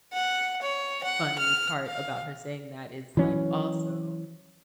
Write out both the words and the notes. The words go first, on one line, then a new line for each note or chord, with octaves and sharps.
funny part about her saying that is, like, also
F#5
C#5
F#5
F6
F5
E3 F#3 C#4